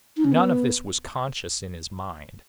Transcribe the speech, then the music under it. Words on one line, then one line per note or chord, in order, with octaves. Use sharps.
None of this was conscious in his mind.
D#4
C#4
B3